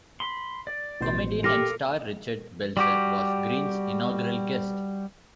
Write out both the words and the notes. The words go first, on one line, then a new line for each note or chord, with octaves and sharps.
Comedian and star Richard Belzer was Green's inaugural guest.
B5 C6
D5
A1 B2 C5
F4 G4 A4 A#4 D6 F6 A#6
G3 F#4 G4